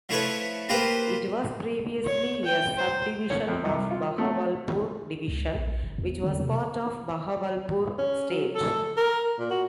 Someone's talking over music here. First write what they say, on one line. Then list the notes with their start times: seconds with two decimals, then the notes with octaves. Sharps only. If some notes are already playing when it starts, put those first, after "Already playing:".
It was previously a sub-division of Bahawalpur Division, which was part of Bahawalpur State.
0.09 F3 A3 E4 A4 B4 C#5
0.69 A#3 F4 G4 B4 C5
2.05 C#5
2.45 G5
2.77 C5
3.30 C#5
3.48 F2
3.65 C2
3.91 F4
4.18 A3
5.28 C#2
5.55 A#1
5.84 G1
5.98 E2
6.23 D3
6.40 C3
7.99 C#4
8.30 F#3
8.55 A4
8.97 A#4
9.39 A#2
9.51 F#4